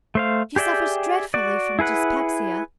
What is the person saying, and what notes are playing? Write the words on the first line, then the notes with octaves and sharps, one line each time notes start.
She suffers dreadfully from dyspepsia.
A3 C5 F5
G4 G#4 D5 E5 G5
F#4 D5
E4 G#4 B4 F#5